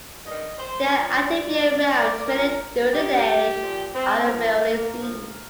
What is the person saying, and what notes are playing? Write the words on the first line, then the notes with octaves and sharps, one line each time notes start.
They are active year-round, mainly during the day, but are rarely seen.
G2 D#3 D#5
C5
A#2 F3 D5
A2 F3
D5
A#2 F3 A#4
G2 D#3 G4
A#2 F3
C4
A2 F3 A#3
A#3
A2 F3 A#3